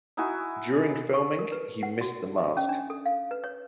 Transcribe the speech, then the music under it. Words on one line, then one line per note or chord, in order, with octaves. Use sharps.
During filming he missed the mask.
D#4 E4 F#4 G#5
C#6
A#4
B4
F#5
F#4
C#4
D4
A4
F5
B4
C#5